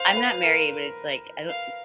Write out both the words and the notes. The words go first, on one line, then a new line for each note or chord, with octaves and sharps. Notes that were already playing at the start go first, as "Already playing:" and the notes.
I'm not married, but it's, like, I don't
Already playing: C5 F5
B4
A#4
F5